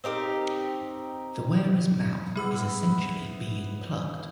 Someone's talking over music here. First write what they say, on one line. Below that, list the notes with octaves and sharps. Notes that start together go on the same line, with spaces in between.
The wearer's mouth is essentially being plugged.
C4 D#4 G4 A#4
G3 B3 E4 G#4 E6